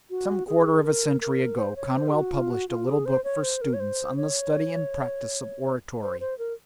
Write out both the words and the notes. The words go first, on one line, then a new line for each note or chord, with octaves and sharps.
Some quarter of a century ago Conwell published a little book for students on the study and practice of oratory.
F#4
G#4
A#4
A#4
C5
C#5
C5
G#4
F#4
F4
F#4
F4
G#4
C5
C#5
C5
A#4
C#5
C5
C#5
C5
C5
A#4